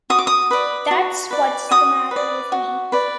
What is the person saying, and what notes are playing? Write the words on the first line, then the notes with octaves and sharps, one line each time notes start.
That's what's the matter with me.
F#4 D#6
D6
D#6
B4 D5
F#4
B4 D5
F#4 D#6
B4
D5
F#4
B4 D5